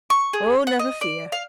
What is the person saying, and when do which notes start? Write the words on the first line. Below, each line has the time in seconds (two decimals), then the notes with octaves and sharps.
'Oh! never fear!
0.10 C#6
0.33 G#4
0.67 F#5
0.79 D#5
1.01 D5
1.32 F5